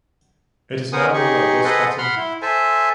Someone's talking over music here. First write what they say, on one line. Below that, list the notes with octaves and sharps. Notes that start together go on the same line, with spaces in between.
It is now run by Buzz Tatom.
B3 A#4 C5 F#5 G#5 D#6
D#4 G4 G#4 C#6
G#4 A4 B4 C5 D#5 F#5
F#5 B5 C6 F6
E4
A4 C5 E5 G#5